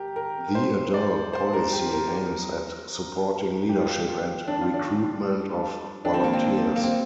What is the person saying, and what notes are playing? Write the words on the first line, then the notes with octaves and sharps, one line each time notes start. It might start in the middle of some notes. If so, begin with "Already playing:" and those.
The adult policy aims at supporting leadership and recruitment of volunteers.
Already playing: G4 A#4
A#4
C5
D5
C5
A#4
G4
G4
A#4
G4
F4
G4
F4
D4
F4
D4
D4
C4
A#3
C4
A#3
C4